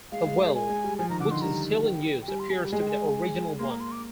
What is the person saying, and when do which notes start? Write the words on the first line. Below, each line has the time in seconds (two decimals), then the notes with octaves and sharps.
The well, which is still in use, appears to be the original one.
0.12 G#3 F5
0.26 G#3
0.41 G#3
0.55 G#5
0.69 G#3
0.84 G3
0.98 F3 G#5
1.10 D#3 A#5
1.20 D3 D6
1.31 D#3 C6
1.42 G3 A#5
1.85 G5
2.22 G5
2.28 G3 G#5
2.40 C6
2.50 G#5
2.65 G3
2.72 G#3 G#5
2.81 G5
2.89 G#5
3.59 A#3 C6
3.70 A#5
3.80 C6
3.92 D6